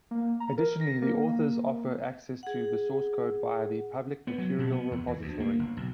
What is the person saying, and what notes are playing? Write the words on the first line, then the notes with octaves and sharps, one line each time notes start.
Additionally, the author offers access to the source code via a public Mercurial repository.
A#3
A#5
A#4
A#6
A#3
G#4 F#5
B3
F#3
B2
B3
E2
E3
D2
A#3
G1
B1